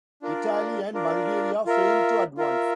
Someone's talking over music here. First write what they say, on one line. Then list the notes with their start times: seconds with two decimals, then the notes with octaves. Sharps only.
Italy and Bulgaria failed to advance.
0.22 D4 F4 A#4 D5
0.94 D4 F4 A#4 D5
1.66 F4 A#4 E5
2.37 F4 A#4 E5